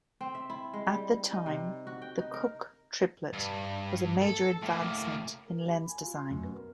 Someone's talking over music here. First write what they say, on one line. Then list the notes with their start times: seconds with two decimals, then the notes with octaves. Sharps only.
At the time, the Cooke triplet was a major advancement in lens design.
0.21 C4
0.35 E5
0.50 E4
0.73 G#3
0.87 G3
1.32 D#4
1.46 C3
1.87 F#4
2.02 G5
2.19 D#4
2.34 A#4
3.33 G2
4.22 A4
4.62 A2 A#3
5.48 A#4
5.61 G4
5.73 B5
5.89 G#5
6.01 F4
6.15 C6
6.31 F#2
6.44 B3
6.56 A#4